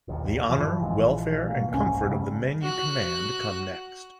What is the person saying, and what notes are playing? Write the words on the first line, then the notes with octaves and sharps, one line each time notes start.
The honour, welfare and comfort of the men you command come next.
E1 A#1 D#2
G2 E3 F3
A#1 E3 F3 G#3
B2 A#3
F#1 C2 G#2 C#4
G2 C#3 G3 A3
F#4 F#6